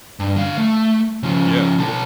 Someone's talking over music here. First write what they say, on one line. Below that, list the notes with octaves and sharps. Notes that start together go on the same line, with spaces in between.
Yeah, well
G2
D3 F5
A3
C#3 F3
B1 A4